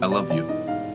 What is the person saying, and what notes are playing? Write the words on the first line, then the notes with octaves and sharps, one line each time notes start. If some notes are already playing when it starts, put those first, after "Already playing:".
I love you.
Already playing: B2
G3 D5
E3 D5
G#2 D#5
G#2 F5